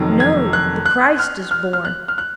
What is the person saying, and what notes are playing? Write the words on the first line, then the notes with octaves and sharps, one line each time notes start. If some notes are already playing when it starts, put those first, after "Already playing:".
"No, the Christ is born."
Already playing: F1 F2 D#3 F#3
G#6
F#6
F#6
F6
F6
F6
F#6
F6
F#6